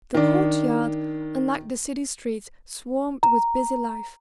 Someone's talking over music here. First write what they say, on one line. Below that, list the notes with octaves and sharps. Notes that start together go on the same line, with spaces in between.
The court-yard, unlike the city streets, swarmed with busy life.
D#3 D4
A#5